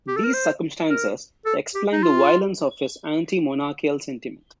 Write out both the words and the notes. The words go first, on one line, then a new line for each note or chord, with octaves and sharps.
These circumstances explain the violence of his anti-monarchical sentiment.
G4
A4
A#4
C5
A#4
A4
G4
D#4
F4